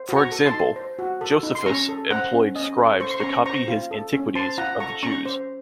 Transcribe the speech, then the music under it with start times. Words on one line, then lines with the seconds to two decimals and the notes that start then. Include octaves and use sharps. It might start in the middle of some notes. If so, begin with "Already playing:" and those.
For example, Josephus employed scribes to copy his Antiquities of the Jews.
Already playing: C5
0.09 F#4
0.16 A#5 C#6
0.31 A4
0.46 A5 C6
0.54 D#4
0.76 C5
0.99 F#4
1.21 A4
1.43 D#4
1.55 C6
1.66 C#4 A#5 C#6
1.89 A4
2.11 C5 F#5 A#5
2.33 C#4
2.56 C#4 D#5
2.78 A4
3.00 C5 C#6
3.11 C6
3.20 C#4 A#5 C#6
3.46 C5 A#5 C#6
3.68 F4
3.91 A4
4.13 C#4
4.35 C5 A5 C6
4.58 F4 F#5 A#5
4.80 A4 A#5 C#6
5.03 C#4 A#5 C#6
5.25 C5